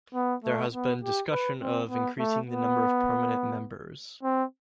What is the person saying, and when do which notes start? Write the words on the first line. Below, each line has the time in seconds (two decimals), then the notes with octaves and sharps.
There has been discussion of increasing the number of permanent members.
0.15 B3
0.44 A3
0.73 B3
1.03 G4
1.31 B4
1.61 C4
1.89 B3
2.19 A3
2.48 B3
4.23 C4